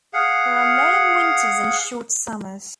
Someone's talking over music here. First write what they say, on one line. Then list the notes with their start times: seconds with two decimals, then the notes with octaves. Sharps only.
There are long winters and short summers.
0.13 G#4 F5 F#5